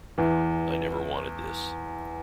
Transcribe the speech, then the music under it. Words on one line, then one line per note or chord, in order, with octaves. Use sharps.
'I never wanted this'.
E2 E3